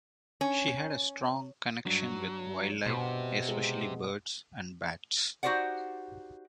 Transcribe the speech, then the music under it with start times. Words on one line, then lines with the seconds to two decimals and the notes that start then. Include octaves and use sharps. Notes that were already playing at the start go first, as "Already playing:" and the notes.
She had a strong connection with wildlife, especially birds and bats.
0.41 C#4
1.86 G2 F#3
2.86 B2 G4 C5
3.48 G#3
5.43 D#4 F#4 G4 C5 D5 F#5